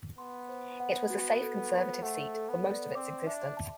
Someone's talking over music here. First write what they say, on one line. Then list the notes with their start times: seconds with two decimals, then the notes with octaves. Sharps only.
It was a safe Conservative seat for most of its existence.
0.18 B3 C6
0.49 C5
0.80 F#5
1.10 F#4
1.42 A4
1.72 C5
2.03 A3 F#5
2.34 A4
2.49 B3
2.64 D5
2.95 C4 D6
3.27 D4 E5
3.57 A5